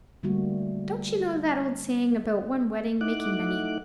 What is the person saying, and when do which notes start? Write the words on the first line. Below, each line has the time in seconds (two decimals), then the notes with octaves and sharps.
"Don't you know that old saying about one wedding making many?"
0.23 D3 G3 A3 A#3 F#4
3.01 A3 D#4 E4 F#5 D6 F#6